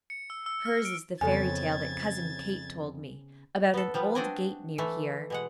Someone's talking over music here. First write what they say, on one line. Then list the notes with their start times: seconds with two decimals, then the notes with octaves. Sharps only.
Hers is the fairy tale that Cousin Kate told me, about an old gate near here.
0.10 C#7
0.30 E6
0.46 E6
0.66 F6
0.85 D7
1.21 F2 C#3 B3 C4 A4 G#5 G#6 A6
3.74 B3 A4
3.94 F3 G3 B3
4.15 C4 D4 F#4 D5 D#5 G#5
4.78 E3 A3
5.30 B2 G#3 F#5